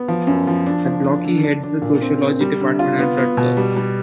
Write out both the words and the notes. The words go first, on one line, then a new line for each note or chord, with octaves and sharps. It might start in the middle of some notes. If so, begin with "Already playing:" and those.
Zablocki heads the Sociology department at Rutgers.
Already playing: B3
F3
F#2
F3
D4
F3
D4
D3
D4
D4
A#2
C4
C4
G3
D3
F4
B3
B3
B2
G3
G3